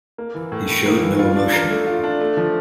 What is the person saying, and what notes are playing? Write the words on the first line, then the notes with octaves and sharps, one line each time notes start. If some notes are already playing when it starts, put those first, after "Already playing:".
He showed no emotion.
A#3
E3
A2
A2
A#3
E3
F4
D4
A#4
A3
F4
D4
A3
F3